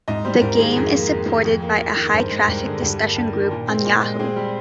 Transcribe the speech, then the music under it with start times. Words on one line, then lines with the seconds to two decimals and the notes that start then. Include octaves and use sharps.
The game is supported by a high-traffic discussion group on Yahoo!
0.08 G#2 D#5
0.25 G3 C5
0.41 G#2 A#4
0.59 D#3 G#4
0.76 F2 G#4
0.94 A#3
1.11 F2
1.28 D#3
1.45 F2
1.62 A#3
1.79 F2
1.96 D#3
2.13 G2 C5
2.31 G#3
2.47 G2 A#4
2.64 D3 G#4
2.82 G2 G4
2.99 A#3
3.17 G2
3.33 D#3
3.51 A#2
3.67 C4
3.85 A#2
4.02 G#3
4.19 C4 G#4
4.36 G3